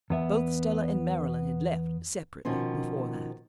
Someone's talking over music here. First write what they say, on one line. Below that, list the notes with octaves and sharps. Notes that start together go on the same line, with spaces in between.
Both Stella and Marilyn had left, separately, before that.
E2 B3 E5
B2 D#3 F3 C4 C#4